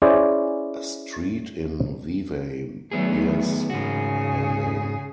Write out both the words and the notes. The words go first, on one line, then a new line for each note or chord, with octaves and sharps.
A street in Vevey bears her name.
C#4 E4 G#4 C5 D5
D#3 F#3 A3 B3 G#4
G#2 C#3 F#4 G#4